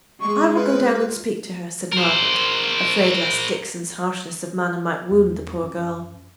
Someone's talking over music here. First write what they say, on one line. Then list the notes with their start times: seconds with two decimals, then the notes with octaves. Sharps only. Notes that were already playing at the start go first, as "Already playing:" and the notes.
'I will go down and speak to her,' said Margaret, afraid lest Dixon's harshness of manner might wound the poor girl.
0.21 G#3 C#6
0.55 F4 B4
1.92 A#4 C5
5.11 E2
5.63 F#2